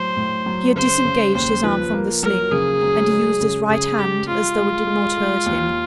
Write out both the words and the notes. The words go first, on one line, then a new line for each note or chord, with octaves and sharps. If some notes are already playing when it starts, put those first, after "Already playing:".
He had disengaged his arm from the sling, and he used his right hand as though it did not hurt him.
Already playing: A2 F#3 C5
A2
F#3
C#3 C5
C#3
D#2 C5
F3 B4
A#3
F#3 A#4
C#3 G#4
F#3
G#3
C#3
C#3 G#4
G#3 G4
G#3 F4
G#3
G#3
G#3
D#2